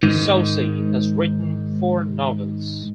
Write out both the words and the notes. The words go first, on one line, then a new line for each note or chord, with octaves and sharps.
Soucy has written four novels.
G#2 D#3